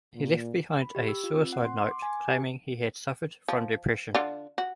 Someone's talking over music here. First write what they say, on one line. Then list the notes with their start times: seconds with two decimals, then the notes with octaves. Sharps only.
He left behind a suicide note claiming he had suffered from depression.
0.14 A#2
0.82 B5
0.95 G4
1.09 E6
1.24 F4
1.37 C4
1.53 F#5
1.65 C6
1.77 C6
1.91 D6
2.02 G#5
2.28 G4
3.48 F3
4.15 D3 F4
4.58 F#4